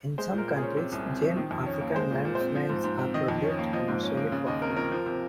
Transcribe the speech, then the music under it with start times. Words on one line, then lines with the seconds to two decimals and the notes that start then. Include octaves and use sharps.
In some countries, giant African land snails are produced commercially for food.
0.18 G#3 C5
0.33 A#2 A#4
0.48 A#2
0.57 G#4
0.62 C#4
0.77 C3
0.92 C2
1.06 C4
1.21 F3
1.37 D#3
1.51 F2
1.66 C#4
1.81 A#3
1.96 G#3 C5
2.11 A#2
2.25 A#2
2.35 C5
2.41 C4
2.55 F3
2.70 G#2
2.84 G#2
2.99 C4
3.14 D#3 D#5
3.28 F2
3.44 C#4
3.59 A#3
3.73 F3 D#5
3.88 G#2
4.03 C#4
4.17 A#3
4.32 C#3
4.47 D#2 D#5
4.62 C4 A#4
4.76 F3 A#4
4.92 F3
5.06 C3